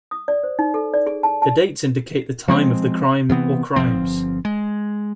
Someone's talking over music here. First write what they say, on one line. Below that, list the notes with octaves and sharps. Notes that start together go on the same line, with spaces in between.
The dates indicate the time of the crime or crimes.
D#6
D5
C5
D#4
A4
D5
G#4
A5
A5
F3 G#3 A3 C4
C3 E3 B3 C4
G1 E2 F3 C4
G#3